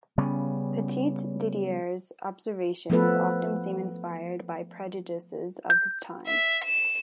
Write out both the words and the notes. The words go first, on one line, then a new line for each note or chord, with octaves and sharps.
Petit-Didier's observations often seem inspired by prejudices of his time.
C#3 G3 B3 C#4
F3 A3 B3 A4 B4
G6
E5
E7